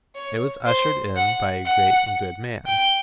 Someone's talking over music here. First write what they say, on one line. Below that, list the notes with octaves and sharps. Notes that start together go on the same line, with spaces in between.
It was ushered in by a great and good man.
C#5
C5
F#5
F#5
G5